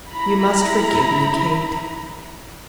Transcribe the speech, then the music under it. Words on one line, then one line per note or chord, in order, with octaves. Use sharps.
You must forgive me, Kate.
E4 A#5 B5